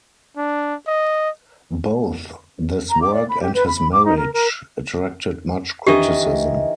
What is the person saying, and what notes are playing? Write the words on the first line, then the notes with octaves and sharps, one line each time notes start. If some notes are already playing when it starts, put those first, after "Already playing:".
Both this work and his marriage attracted much criticism.
D4
D#5
A#5
D6
D5
B5
G4
B4
B5
D6
D#4
A#4
A#4
D#3 E3 D4 G4 D#5